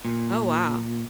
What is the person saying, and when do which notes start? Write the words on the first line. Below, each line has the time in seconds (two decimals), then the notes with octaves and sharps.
Oh, wow.
0.05 A#2